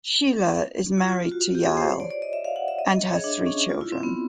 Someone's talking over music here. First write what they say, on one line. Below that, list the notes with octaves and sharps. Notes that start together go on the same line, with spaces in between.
Shelah is married to Yael, and has three children.
F4
F4
F4
F#4
F#4
G4
G#4
C5
C#5
D5
D5
D#5
E5
F5
F#5
E5
D#5
D#5
C#5
G#4
D4
C#4
F4
E4
C4
B3